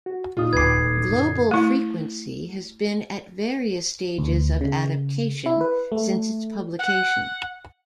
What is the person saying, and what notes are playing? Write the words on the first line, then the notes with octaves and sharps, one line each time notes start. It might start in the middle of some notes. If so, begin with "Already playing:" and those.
"Global Frequency" has been at various stages of adaptation since its publication.
F#4
A#2 D#4 F4 D#6
D1 D2 B2 B4 D6 G#6 C7
D#1
F#2 D3
A3 E4
D2
C#3
E4
B4
A3
F#5